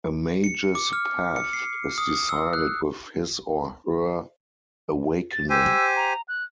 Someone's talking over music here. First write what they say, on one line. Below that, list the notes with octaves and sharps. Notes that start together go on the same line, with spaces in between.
A Mage's Path is decided with his or her awakening.
C#7
D6
F6
C#7
C7
D#6
E6
F#6
A6
G4 C5 G#5 E6
A#5
F#6